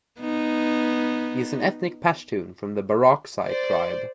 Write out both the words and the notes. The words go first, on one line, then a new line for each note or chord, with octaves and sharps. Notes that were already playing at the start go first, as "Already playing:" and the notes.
He is an ethnic Pashtun from the Barakzai tribe.
B3 D#4
C5 D5